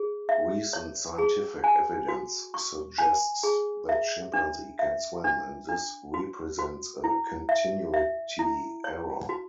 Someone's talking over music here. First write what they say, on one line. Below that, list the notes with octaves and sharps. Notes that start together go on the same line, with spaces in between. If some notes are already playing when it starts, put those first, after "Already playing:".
Recent scientific evidence suggests that chimpanzee can swim, and this represents a continuity error.
Already playing: G#4
E5
C#5
G#4
G#5
F#4
C#6
G#5
G#4
E5
D4
E5
D4
D4
F#4
F#4
E4
E5
E5
E4
C#5
F#4